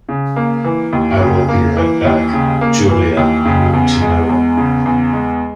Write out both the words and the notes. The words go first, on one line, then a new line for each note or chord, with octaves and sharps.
I will be right back. Julia, I need to know it.
C#3
A#3
E3
D#2
C#3
A#3
E3
D#2
C#3
A#3
E3
D#2
C#3
E2
G#3
E2
C#3
E2
G#3